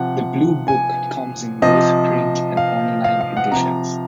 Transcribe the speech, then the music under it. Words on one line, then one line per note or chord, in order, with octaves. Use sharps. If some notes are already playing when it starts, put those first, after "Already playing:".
The "Blue Book" comes in both print and online editions.
Already playing: C3 F3 F#5
G#5
C3 F3 D#5
F5
F5
F5
F#5
C3 F3 A#5